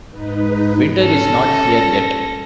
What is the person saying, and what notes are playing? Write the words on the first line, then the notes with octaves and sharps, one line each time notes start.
Winter is not here yet.
G#2 D#4 B4
C#4 A4 A#6